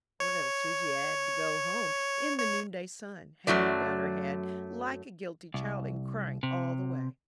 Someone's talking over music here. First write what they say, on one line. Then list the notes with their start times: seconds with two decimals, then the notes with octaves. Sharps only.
Poor little Susy had to go home in the noonday sun, hanging down her head like a guilty child, and crying all the way.
0.20 C#5
2.38 C#5
3.47 F#2 C#3 F#3 A3 D5
5.54 C2
6.43 C3